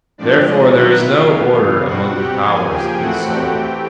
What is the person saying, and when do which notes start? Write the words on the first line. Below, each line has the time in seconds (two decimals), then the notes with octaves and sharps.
Therefore there is no order among the powers of the soul.
0.18 A2 F3 G#3 C4 D4 D5
0.46 D#4 D#5
0.74 D#3 F#3 A#3 E4 E5
1.03 F4 F5
1.31 C#3 E3 G3 B3
1.86 B2 G3 C4 F#4 F#5
2.14 G4 G5
2.42 C#3 F3 A#3 G#4 G#5
2.71 G4 G5
2.98 A2 E3 A3 C4 F#4 F#5
3.26 G4 G5
3.55 E3 A3 C4